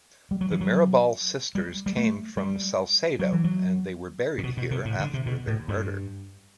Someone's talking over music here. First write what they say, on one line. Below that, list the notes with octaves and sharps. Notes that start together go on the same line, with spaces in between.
The Mirabal sisters came from Salcedo and they were buried here after their murder.
G3
F#3
E3
F#3
G3
G3
A3
G3
F#3
E3
F#3
A2
B2
B2
C3
A2
D3
C3
B2
A2
G2